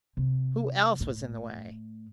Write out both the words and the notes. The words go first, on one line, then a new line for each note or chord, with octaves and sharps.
Who else was in the way?
C3
A2